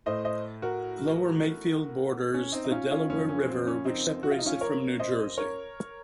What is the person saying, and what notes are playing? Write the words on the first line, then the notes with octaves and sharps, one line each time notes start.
Lower Makefield borders the Delaware River which separates it from New Jersey.
A2 A3 C5 D#5
C5 D#5
F#4 A#4
C#4
C4 D#4
D#4
C#4 F4
C#4 F4
F#2 C#3 F3 A#3 C#4
C#4
C4
C#4
C4 D#4
F#4
F4
D#4
C#4 F4
A#4 C#5
C5 D#5
A#4 C#5